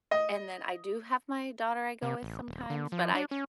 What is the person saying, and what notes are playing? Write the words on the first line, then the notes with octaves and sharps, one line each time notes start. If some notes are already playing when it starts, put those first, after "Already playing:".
and then I do have my daughter I go with sometimes, but I
D#5
C3
A1
D#1
D3
F3
D4
C#4